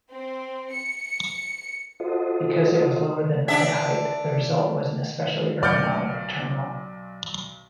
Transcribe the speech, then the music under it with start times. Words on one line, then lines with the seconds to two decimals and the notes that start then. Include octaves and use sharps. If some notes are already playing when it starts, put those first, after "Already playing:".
Because it was lower than head height, the result was an especially ergonomic terminal.
0.10 C4
0.72 C#7
2.00 F4 F#4 A4 C5 D#5
3.48 D4 E5
5.62 B1 D5 F6 G6 C#7